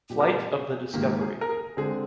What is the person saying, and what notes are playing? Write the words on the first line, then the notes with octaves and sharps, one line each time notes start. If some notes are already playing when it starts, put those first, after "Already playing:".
Flight of the Discovery.
A#2 G3 C4 G4
A#4
G#4
G#4
G#4
G#2 D#3 A#3 G4
G#4
A#4
G#4
D3 G#3 C4 G#4